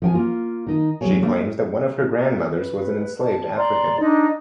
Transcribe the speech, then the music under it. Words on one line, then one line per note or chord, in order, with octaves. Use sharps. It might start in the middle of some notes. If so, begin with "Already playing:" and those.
She claims that one of her grandmothers was an enslaved African.
F3 G5 G#5
A#3 F4
D#3 D#4
E2 F#3 A#3 G#4 C#5 G#5
G3 A3 A#3 D4
B4
A5
D5 A#5 C6
D4 D#4 D#5